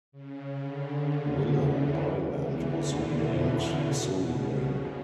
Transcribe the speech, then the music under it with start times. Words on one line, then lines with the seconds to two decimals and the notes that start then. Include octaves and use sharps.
Willoughbyland was renamed Suriname.
0.12 C#3
0.59 D3
1.06 C#3
1.37 D3
1.68 E2 E3
2.31 E2 E3
2.63 D3
2.94 B2
3.41 C#3
3.88 B2
4.19 C#3
4.50 C#3